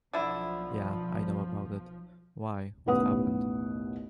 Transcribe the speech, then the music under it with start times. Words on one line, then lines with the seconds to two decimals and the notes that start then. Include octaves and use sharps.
Ya, I know about it. Why what happened?
0.13 B1 D3 F3 E4
2.86 A1 D#2 B2 B4 F#5 D#6